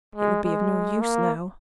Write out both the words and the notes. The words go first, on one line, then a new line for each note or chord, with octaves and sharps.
It would be of no use now.
G#3
G#3
A#3